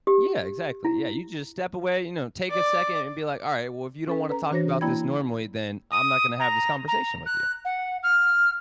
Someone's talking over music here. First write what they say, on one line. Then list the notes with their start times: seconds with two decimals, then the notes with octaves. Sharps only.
Yeah, exactly, yeah, you just step away, you know, take a second and be, like, "All right, well, if you don't wanna talk about this normally, then I'm not gonna have this conversation with you."
0.07 G4
0.85 E4
2.50 D5
4.08 C#4 A4 B4
4.29 B4 A#5
4.51 E3 D4 F#4 C5 C#5 A#6
4.81 A#3 E4 D5 G5 B5 G#6
5.91 D#6
6.39 A#5
6.87 A#5
7.26 F#6
7.64 F#5
8.02 F6